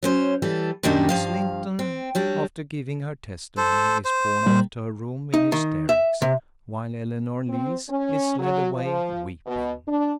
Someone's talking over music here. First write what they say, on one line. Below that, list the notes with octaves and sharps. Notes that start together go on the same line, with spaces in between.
Miss Linton, after giving her testimony, is borne off to her room in hysterics; while Eleanor Lees is led away weeping.
F#3 C#4 C5
E3 G3 A4
F#2 A#2 D#3 G3 D4 D#4
G2 F3 F5
C4
F#3 G3 D4
A4 C5
C5
A#2 G3 A#3
D#4
D#3
E5
C3
C4
C#4
F#3
F3
B2
D4